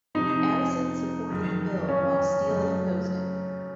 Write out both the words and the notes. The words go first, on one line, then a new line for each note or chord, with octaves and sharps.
Addison supported the Bill while Steele opposed it.
F2 C3 F3 C4 D#4
F#1 F2 D#3
C#4
F#1 F#2 C#3 A3